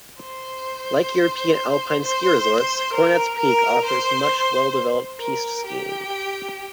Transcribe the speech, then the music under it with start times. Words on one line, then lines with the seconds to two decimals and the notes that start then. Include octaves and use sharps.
Like European Alpine ski resorts, Coronet's Peak offers much well-developed piste skiing.
0.21 C5
2.02 C5
2.93 A#4
3.39 A#4
3.84 C5
5.20 A#4
5.65 G4